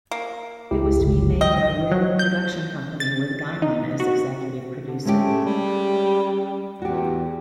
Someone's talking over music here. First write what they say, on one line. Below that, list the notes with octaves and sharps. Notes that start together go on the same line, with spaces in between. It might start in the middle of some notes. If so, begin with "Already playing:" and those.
It was to be made by Red Production Company with Gaiman as executive producer.
A#3
C#2 E4 G4
G1 C#2
D#5 G5
F#3
G6
A6
D#4
F#4
D3
G#3 A3 C#4 G4
G3
E2 F#4 G4